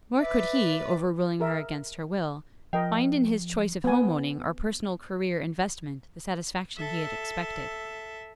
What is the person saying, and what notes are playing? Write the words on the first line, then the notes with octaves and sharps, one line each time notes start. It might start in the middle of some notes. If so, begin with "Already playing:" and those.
Nor could he, overruling her against her will, find in his choice of home-owning or personal-career investment the satisfaction he had expected.
B4 D5 E5
G#4 A#4 E5
F3 A#4 D#5 G5
B3 G#5
A4 E5